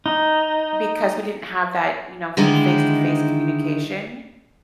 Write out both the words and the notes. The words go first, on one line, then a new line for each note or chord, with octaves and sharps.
because we didn't have that, you know, f face to face communication,
D#4
D3 D#3 G#3 D#4 E4